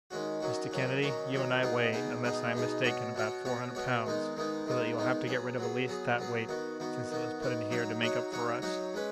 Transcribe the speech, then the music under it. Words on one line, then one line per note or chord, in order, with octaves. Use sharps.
"Mr. Kennedy, you and I weigh, unless I am mistaken, about four hundred pounds--so that you'll have to get rid of at least that weight, since it was put in here to make up for us."
D#3 G#3 C#4 F#4
D#3 F#3 C#4 F#4
D#3 F#3 C#4 F#4
D#3 F#3 C#4 F#4
D#3 F#3 C#4 F#4
B2 B3 D#4 G#4
B2 B3 D#4 G#4
B2 B3 D#4 G#4
B2 B3 D#4 G#4
B2 B3 F#4 C#5
B2 B3 F#4 C#5
B2 B3 F#4 C#5
B2 B3 F#4 C#5
D#3 G#3 B3 D#4
D#3 G#3 B3 D#4
D#3 G#3 B3 D#4
D#3 G#3 B3 D#4
F#3 B3 G#4
F#3 B3 G#4
F#3 B3 G#4
F#3 B3 G#4
D#3 B3 F#4
D#3 B3 F#4
D#3 B3 F#4
D#3 B3 F#4
F#3 D#4 F#4 C#5
F#3 D#4 F#4 C#5
F#3 D#4 F#4 C#5
F#3 D#4 F#4 C#5
G#3 C#4 B4